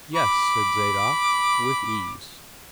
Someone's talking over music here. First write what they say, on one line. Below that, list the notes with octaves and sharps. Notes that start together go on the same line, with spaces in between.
"Yes," said Zadok, "with ease."
B5 D6